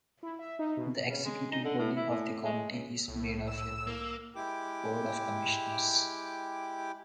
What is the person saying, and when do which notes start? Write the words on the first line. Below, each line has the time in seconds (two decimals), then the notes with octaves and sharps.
The executive body of the county is made of a board of commissioners.
0.23 E4
0.39 E5
0.59 D#4
0.77 B2
1.06 C#3
1.25 G#3
1.51 D#4
1.64 D3
1.78 A2
1.96 E4
2.09 A2
2.45 G#3
2.70 C#2
3.08 C2 A2
3.48 E6
3.87 A#3
4.36 G#3 E4 G4 G5 D6